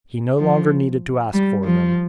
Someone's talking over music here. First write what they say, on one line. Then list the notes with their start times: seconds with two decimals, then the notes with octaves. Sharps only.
He no longer needed to ask for them.
0.39 F3
1.33 G3
1.64 F3